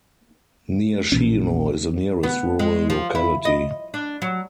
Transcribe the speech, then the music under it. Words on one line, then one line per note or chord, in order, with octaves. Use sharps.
Nyashino is the nearest rural locality.
A#1 A#2 E3 C#4
B3
G#3
F3
E4
D#5
D4
F#3